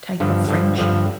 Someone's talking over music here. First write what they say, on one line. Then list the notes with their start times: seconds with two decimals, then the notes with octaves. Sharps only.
type of friendship.
0.20 G2 D3 F3
0.49 G2 D3 F3
0.78 G2 D3 F3